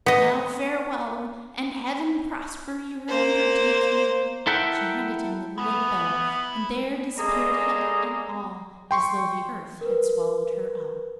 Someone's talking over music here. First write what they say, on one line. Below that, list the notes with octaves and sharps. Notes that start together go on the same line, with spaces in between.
Now farewell, and heaven prosper your undertaking.' She handed him the little bell, and there disappeared hut and all, as though the earth had swallowed her up.
B3 D#5
A#3 C5
E4 A4 A#4 E5 F#5 G5
B3 E4 G#5
G3 G#3 A#3 G#4 A4 D#5
G5 C6 C#6
A#4 B4